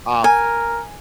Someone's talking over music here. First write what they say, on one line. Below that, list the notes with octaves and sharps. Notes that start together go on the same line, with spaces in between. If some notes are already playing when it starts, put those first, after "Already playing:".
uh, f f
A#4 G#5